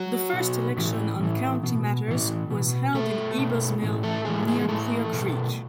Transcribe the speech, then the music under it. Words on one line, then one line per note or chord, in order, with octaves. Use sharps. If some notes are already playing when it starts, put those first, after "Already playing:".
The first election on county matters was held in Eby's mill near Queer Creek.
Already playing: F#3 F#4
B2
A2 E3
A2 E3
B2
A2 E3
B2
B2 A3 A4
B2
A2 E3
A3 A4
A2 E3 G#3 G#4
G#3 G#4
A2 E3 A3 A4
B2